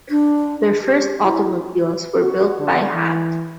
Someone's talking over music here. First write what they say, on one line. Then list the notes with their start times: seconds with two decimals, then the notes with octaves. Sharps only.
Their first automobiles were built by hand.
0.10 D4
0.83 G4
1.23 E4
2.20 F#4
2.59 D3
2.93 E3